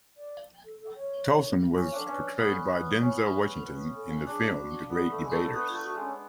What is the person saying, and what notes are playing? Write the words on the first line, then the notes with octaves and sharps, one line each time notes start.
Tolson was portrayed by Denzel Washington in the film "The Great Debaters".
D5
A4
A4
C#5
C#4 C#5
D4 A4
C#4 B4
B3 A4
B4
C#4 C#5
B4
A4
B4
A4
D4 G#4
F#4
B3 G#4
A3 A4
G#3
A3 A4
A3
B3 B4
A3 F4
F#4
G#3
C#4